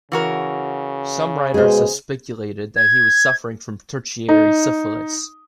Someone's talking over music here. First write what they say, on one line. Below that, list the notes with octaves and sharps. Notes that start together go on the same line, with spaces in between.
Some writers have speculated that he was suffering from tertiary syphilis.
C#3 E3 F#4 A#4
B2 G#3 G#4 C5
G#6
D#4